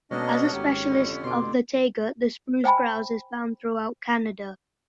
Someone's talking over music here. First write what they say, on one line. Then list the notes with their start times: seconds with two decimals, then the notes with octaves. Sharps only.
As a specialist of the taiga, the spruce grouse is found throughout Canada.
0.11 B2 G#3 A#3 C#4 D4 A4 D#5
0.53 G#1 F#3 B3 G4
0.87 F2 D3
1.24 B2 C6 D6
2.64 C5 G5 G#5 B5